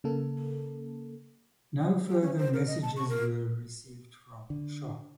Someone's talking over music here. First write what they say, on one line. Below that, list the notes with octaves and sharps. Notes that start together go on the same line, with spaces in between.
No further messages were received from "Shark".
C#3 A#3 A4
G4
C#4
C5
A#4
D#5
A5
C#6
A#4
D3